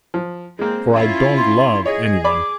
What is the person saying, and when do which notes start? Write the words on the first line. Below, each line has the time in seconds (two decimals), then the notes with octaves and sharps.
For I don't love any one.
0.14 F3
0.59 G#3 A#3 C4
0.92 C#4 E4 F4
1.37 C6
1.86 G#4 C#5 D#5
2.24 D5 B5 D6